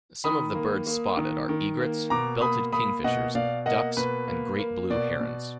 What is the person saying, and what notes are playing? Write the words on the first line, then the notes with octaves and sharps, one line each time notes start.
Some of the birds spotted are egrets, belted kingfishers, ducks, and great blue herons.
D#3 B5 D#6
A#3
A#3
D#3
D#3
A#3
B2 A#5 D6
A#3 B5 D#6
A#3 B5 D#6
B2 D#5 F#5
B2 D5 F5
A#3 D#5 F#5
B2 B4
A#3
A#3
B2 D5
B2